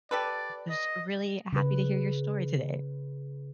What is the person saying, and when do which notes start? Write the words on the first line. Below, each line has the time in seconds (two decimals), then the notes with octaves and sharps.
was really happy to hear your story today.
0.11 G4 A4 B4 D5
0.70 D#5
1.53 C#3 B4